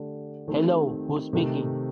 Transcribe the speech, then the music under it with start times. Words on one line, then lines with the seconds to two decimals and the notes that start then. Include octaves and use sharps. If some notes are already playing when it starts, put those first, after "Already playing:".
Hello, who’s speaking?
Already playing: D3 A3 D4 G4
0.48 D#3 A3 C4 G4
1.33 C3 D#3 A3 D#4 G4